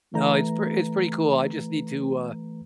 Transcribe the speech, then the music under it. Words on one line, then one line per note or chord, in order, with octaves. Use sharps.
No, it's p it's pretty cool, I just need to, uh,
E3 A3 B4 A#5